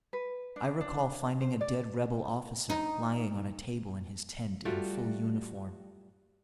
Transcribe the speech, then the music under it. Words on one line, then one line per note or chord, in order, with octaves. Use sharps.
I recall finding a dead Rebel officer, lying on a table in his tent, in full uniform.
B4
D4
D4
C5
D5
D#4
G3 A3 F4 F#4